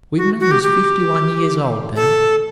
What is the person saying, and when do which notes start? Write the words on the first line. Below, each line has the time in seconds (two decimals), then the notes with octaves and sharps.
Whitman was fifty-one years old then.
0.17 F#4
0.40 F#4
0.51 G4
0.63 G4
1.96 A4